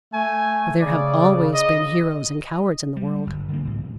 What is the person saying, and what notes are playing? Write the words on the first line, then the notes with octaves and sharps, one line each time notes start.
For there have always been heroes and cowards in the world.
A3 G#5
C#3 D5
D#5
G3
G1
D3 D#3 A3 A#3
C2 A2